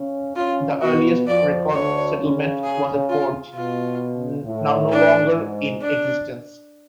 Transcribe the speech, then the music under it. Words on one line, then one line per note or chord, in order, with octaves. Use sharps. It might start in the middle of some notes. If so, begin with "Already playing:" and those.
The earliest recorded settlement was a forge, now no longer in existence.
Already playing: C#3 C#4
C#3 C#4 F4
B2 B3 F#4
F2 F3 D5
D2 D3 C#5
C#3
G#4
F4
B2 F4
A2
D4
G#2
D4